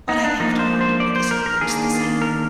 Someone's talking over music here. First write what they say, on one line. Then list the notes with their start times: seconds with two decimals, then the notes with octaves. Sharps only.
but I have to wonder because it looks the same,
0.09 D#4
0.24 D4
0.39 F3 A#3 D4 D#4
0.59 C5
0.81 C5
1.00 D5
1.16 C5
1.31 A#4
1.46 A#4
1.61 D#3 A#3 D4 G#4
2.22 A#4